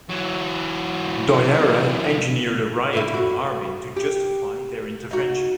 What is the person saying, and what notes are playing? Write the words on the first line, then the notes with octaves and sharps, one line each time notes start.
Doihara engineered a riot in Harbin to justify their intervention.
E3 F#3
D3 B3 E4
F#4
G4
D#4 F#4